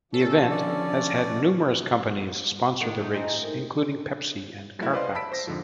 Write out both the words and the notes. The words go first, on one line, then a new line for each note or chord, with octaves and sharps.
The event has had numerous companies sponsor the race, including Pepsi and Carfax.
D3 F3 C#4 A4
D5
A2 D#3
A3 D#4
C4 D#5 G#5 A#5
D#4 A#4
F#3 A3 E4
B4 C5 D5 D#5 F5 C6
E5 A5 B5 E6 B6 D7
C5 A#6
F2 G#2 D3 F3